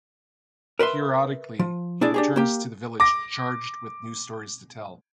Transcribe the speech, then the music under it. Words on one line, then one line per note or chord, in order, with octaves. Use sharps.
Periodically, he returns to the village charged with new stories to tell.
A#4 B4 E5 C6
F3
D4 E4 G#4 D5
D4 G4 G#4
A#3 G4
D6 A#6